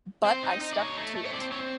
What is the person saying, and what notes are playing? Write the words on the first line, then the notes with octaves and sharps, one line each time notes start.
But I stuck to it.
C4 C5
D#4
D#4
D5
D#4 C#5
A3
A3
C#5
C4 D5
C4 C#5